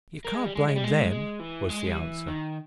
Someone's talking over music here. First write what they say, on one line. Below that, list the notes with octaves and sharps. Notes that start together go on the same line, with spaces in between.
"You can't blame them," was the answer.
A#3
G#3
G3
G#3
G#3
G3
G#3
G#3
E3
G#3
G3
E3
D#3